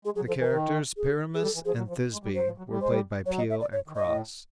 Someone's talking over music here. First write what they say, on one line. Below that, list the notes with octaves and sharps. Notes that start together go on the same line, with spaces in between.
The characters Pyramus and Thisbe were played by Peele and Crosse.
G#3 G#4
F#3 G#4
F3 A4
E3 A#4
D#3
G#4
G#4
G3 A4
E3
F3 G#4
F#3
F3
G#3
G3
F#3 C5
F3
F#3
G3
G#3 C5
G3
F#3 C#5
D#5
E5
D5
C#5
D#3
D#5
A2